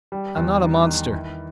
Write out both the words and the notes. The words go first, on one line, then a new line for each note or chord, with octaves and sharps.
I am not a monster.
G3
E2
D#4
D#3
E4